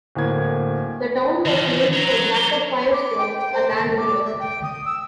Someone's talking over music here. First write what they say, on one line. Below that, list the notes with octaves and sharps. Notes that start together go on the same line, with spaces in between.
The town was named for Jacob Firestone, a landowner.
D1 A2 A#3 G#6
E3 F3
C#5 A#5
C#5
D6
G5
G5
C5
A5
D6
E5
G5
D#6
E6